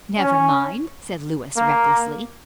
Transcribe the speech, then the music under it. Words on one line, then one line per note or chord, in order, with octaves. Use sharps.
"Never mind," said Louis recklessly.
C#4
A#3